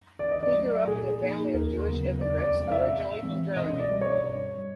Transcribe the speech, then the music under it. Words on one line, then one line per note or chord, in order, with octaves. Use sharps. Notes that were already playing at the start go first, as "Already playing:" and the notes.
He grew up in a family of Jewish immigrants, originally from Germany.
D#3 D5
D#5
D5
F#3 A3
A#2 G#4
F3 A#3 D#4
D#2 A#4
C#3 F#3 B3
E2 D5
D5
C3 F3 G#3 C4 D5
F5
E5
A2
E3 G#3 C4
B2 D#5
D5
G3 C4
C#5
G2
G3